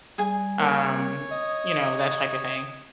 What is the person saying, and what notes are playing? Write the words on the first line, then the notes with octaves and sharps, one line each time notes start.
um, you know, that type of thing,
G3 G#4 G#5
A#3 C#5
D#5 D#6